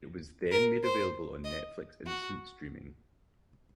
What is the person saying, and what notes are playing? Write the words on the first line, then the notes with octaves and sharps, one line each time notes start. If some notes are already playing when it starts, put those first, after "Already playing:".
It was then made available on Netflix Instant Streaming.
A#4
C5
D#5
F#4